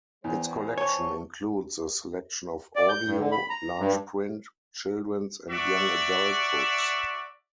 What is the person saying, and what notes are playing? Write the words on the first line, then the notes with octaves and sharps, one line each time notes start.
Its collection includes a selection of audio, large print, children's and young adult books.
E2 G3 C5
C#5 A5 C#6
D5
G6
G2
D3
B5
A#5
G2
F#4 D5 E5